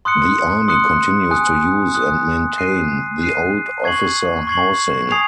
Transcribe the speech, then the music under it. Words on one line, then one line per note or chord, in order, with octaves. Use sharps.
The Army continues to use and maintain the old officer housing.
C6 D#6 F#6 C#7
C6 D#6 F#6 C#7
G#5 D#6 F#6
G#5 D#6 F#6
F#6 C7 D#7
F#6 C7 D#7
C#6 G#6 C7 F#7
C#6 G#6 C7 F#7
G#5 D#6 G#6 C7 F7